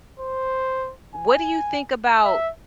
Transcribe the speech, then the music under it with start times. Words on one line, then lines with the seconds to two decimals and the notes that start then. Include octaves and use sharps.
What do you think about
0.20 C5
1.15 G#5
2.25 E5